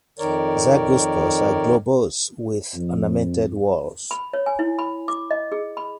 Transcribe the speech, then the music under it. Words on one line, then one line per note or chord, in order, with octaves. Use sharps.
Zygospores are globose with ornamented walls.
F2 D#3 A#4 C#5 D5
F2
B5
C#5
G#5
E4
B5
D6
D#5
G#4
B5